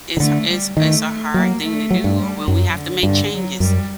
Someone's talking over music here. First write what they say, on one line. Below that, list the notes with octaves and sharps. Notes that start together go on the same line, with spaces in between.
It's it's It's a hard thing to do or when we have to make changes.
D#3
D3 A3
G3
D#3 A3
F#3 A#3
A3
F#3
G2
G3
F#2 F#3
D3
G2 D3
F#3
F#2 G3